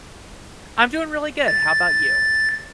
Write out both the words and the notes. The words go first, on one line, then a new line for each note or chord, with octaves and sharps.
I'm doing really good. How about you?
A6